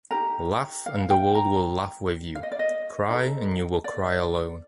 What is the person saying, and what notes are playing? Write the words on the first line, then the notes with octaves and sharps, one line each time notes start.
Laugh and the world will laugh with you. Cry and you will cry alone.
D#4 G4 A#4 A#5
F5
G5
A#5
F5
D#5
D5
D#5
D#4 A4
D5